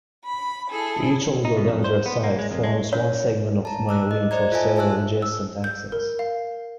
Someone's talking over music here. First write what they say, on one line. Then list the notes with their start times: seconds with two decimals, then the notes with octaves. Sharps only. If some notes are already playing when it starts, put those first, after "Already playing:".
Each oligodendrocyte forms one segment of myelin for several adjacent axons.
0.25 B5
0.70 E4 G#4 A4
1.45 D#4
1.57 B2
1.69 F2
1.84 C5
2.06 B3
2.23 A#3
2.39 G#3
2.51 F2
2.64 G#3
2.93 C#5
3.65 A5 A#5
3.89 D6 E6 F#6
4.11 D#5
4.31 C5 D5 D#5 A#5 G#6
4.52 F4 A4 E5 G#5 A5
4.76 E5 G#5 A5 E6 F#6
5.22 E6
5.64 G6
5.92 A#4
6.19 F5